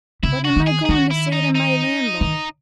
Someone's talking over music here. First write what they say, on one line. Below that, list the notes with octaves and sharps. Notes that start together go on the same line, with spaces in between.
What am I goin' to say to my landlord?
C#3 E4
F#4
D#3
G#4
G#4
D#3 F#4
E4
D#4
D#4
D#3